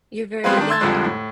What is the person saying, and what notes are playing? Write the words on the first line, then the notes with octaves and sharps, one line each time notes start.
you're very young,
G3 G#3 B3 C4 F4 B4
D#3 D4
C6 E6 G#6 A6
C2 F2 D3 F3 G#3
A2